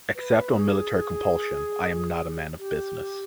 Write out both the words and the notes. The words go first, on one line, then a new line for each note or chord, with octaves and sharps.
Except on military compulsion, I am not a man of business.
B4
G#4
G4